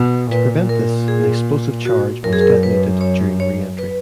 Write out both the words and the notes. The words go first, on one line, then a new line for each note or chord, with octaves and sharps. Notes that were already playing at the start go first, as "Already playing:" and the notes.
To prevent this, an explosive charge was detonated during reentry.
Already playing: B2
A#2 B4
A#4
G#4
F#4
F#2 A#4
G#4
A#4
B4
C#5
C#5
B4